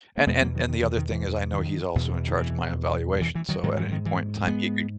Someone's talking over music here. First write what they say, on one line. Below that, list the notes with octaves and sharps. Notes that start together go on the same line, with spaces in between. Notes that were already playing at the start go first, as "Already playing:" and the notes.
And and and the other thing is I know he's also in charge of my evaluation, so at any point in time, he could
A#3
E2 B2 G#3 B3
F#3 A#3
D#3 F#3
D#3
E3
D#3
E3
D#3
E2 B2
D#3
E3
E3
E3
D#3 F#3
G#2 D#3 F#3
E3
D#3
E3
G#3 B3